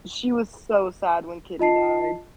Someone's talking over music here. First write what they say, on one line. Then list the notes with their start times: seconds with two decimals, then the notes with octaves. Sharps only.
She was so sad when Kitty died.
1.59 F4 D#5 A5 C7